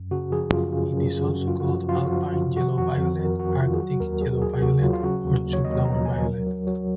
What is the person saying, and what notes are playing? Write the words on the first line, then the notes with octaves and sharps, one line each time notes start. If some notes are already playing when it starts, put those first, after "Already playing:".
It is also called alpine yellow-violet, arctic yellow violet, or twoflower violet.
Already playing: F#2
C#3 F#4
F3 G#4
F#2 F4
C#3
F#2
C#3
F#2 F#4
F4
F3
F#4
F3
F4
F3 F#4
F3
F3
D#3 F#4
F2 F#4
F2 F#4
F2 A#4
D#3 F#4
D#3 F4
G#4
F#3 F#4
D#2 A#4
F#3 G#4
D#2 G#4
D#2 F#4
F#3 F4
F4
C#3 F#4
D#2
D#2
C#5
D#2 D#5
F3 A#5
D#2 G#5
F#3 A#4
F#3
F#3